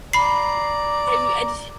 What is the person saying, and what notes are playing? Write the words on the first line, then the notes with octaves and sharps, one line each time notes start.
I mean, I ju
D5 A#5 B5 C7